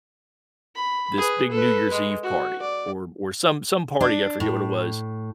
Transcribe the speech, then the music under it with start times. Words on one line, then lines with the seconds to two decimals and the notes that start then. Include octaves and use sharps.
this big New Year's Eve party or or some some party, I forget what it was,
0.75 B5
1.17 G#4 B4
1.51 A4 B4
1.92 G#3
2.23 F#4
2.61 D5
4.01 D4
4.40 A2